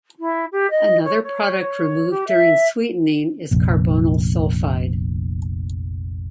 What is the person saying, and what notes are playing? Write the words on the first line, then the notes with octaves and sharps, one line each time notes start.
Another product removed during sweetening is carbonyl sulfide.
E4
G4
D#5
C#5
C#5
G4
E5
F1 A#1